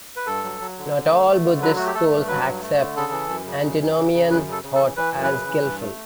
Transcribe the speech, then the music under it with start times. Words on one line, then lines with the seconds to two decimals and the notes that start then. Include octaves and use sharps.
Not all Buddhist schools accept antinomian thought as skillful.
0.16 B4
0.27 G2 A4
0.44 F#3
0.60 F#3
0.78 D3
0.95 D3
1.11 A3
1.27 A3
1.44 D3
1.61 F#3 B4
1.76 A3 F#4
1.86 G4
1.95 A3 A4
2.12 G2
2.28 F#3 B4
2.46 G2
2.62 A3
2.78 D3
2.96 C#3 A4
3.12 E3
3.29 F#2
3.46 C#3
3.63 F#2
3.80 E3
3.97 C#3
4.14 C#3
4.30 F#2 B4
4.47 C#3 A4
4.64 C#3
4.75 A4
4.80 E3
4.97 E3 B4
5.14 F#2
5.23 B4
5.31 C#3
5.47 E3
5.64 G2
5.81 A3